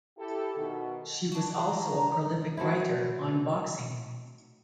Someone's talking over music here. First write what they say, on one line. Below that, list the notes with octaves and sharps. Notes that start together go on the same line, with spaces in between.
She was also a prolific writer on boxing.
E4 G4 A4
B2 D#3
D4 F#4
A#5
F#3 A3 C4 E4